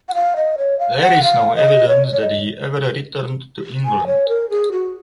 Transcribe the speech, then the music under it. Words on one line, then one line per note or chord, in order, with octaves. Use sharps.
There is no evidence that he ever returned to England.
F#5
F5
D#5
C#5
F5
F5
F#5
F5
D#5
C#5
C#5
D#5
G#5
C#5
A#4
G#4
F#4